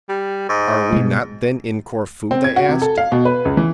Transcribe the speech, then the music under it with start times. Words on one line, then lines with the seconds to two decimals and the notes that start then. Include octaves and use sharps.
"Are we not, then, in Corfu?" they asked.
0.09 G3
0.49 G#2
0.92 B2 G#3
2.31 C4
2.44 G#6
2.56 F#4
2.69 C3
2.82 A4
2.98 F5
3.12 B2
3.25 B4
3.45 C#2
3.57 E3